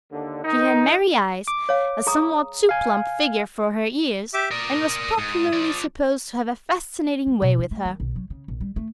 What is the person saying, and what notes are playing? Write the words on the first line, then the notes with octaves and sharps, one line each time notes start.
She had merry eyes, a somewhat too plump figure for her years, and was popularly supposed to have a fascinating way with her.
D#2 D3
D#3 D#4
D6
C#5 F5
G#4 A#5 D#6
F5 G#5
G4 E5 D6
A#4 D5 D#6
G#2
F3 D5
G#3
B2
D#4
A3
D#3
B1
F#3
C#3
A#1
G3
A3